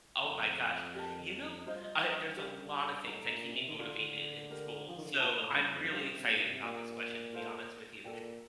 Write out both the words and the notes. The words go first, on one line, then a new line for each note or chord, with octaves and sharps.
Oh my gosh. You know, uh, there's a lotta things that keep me motivated in school. So I'm really excited about this question to be honest with you.
F2 A4 D5 F5 A#5
G4 A#4 D#5 A5
G2 F4 C5 D#5
G4 A#4 D5
A2 A4 D#5 A#5
A#2
A#2
C3
D#3
D3 F4 A4 D5
D4 G4 A#4 D5
F3
D#3
D3
C3
A#2 F4 C5 F5 A5
A2
G2
F2
G2 G4 C5 F5
C3
A#2
C3
A#2 D4 G4 D5
F4 A4 C5 F5
A#2 A4 D5 G5